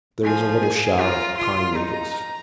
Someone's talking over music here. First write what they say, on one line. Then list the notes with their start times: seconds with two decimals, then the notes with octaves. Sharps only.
There was a little shower of pine needles.
0.24 F3 G#5
0.62 G#4
0.99 F4 A#5
1.37 F4 C6
1.75 D#4 A#5